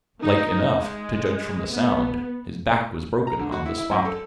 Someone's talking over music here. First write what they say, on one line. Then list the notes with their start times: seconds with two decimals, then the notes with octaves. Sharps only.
Like enough, to judge from the sound, his back was broken on the spot.
0.22 D#4
0.76 G#3
1.70 B3
3.27 A#5
3.39 D3
3.52 F#4
3.66 E4
3.78 E4
3.91 F#2
4.05 A4